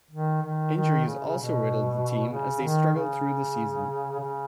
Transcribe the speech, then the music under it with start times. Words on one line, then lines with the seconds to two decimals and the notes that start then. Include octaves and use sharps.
Injuries also riddled the team as they struggled through the season.
0.11 D#3
0.42 D#3
0.74 D#3
1.05 C#3
1.25 C#3
1.37 B2
2.31 C#3
2.62 D#3
2.94 C#3
4.20 C#3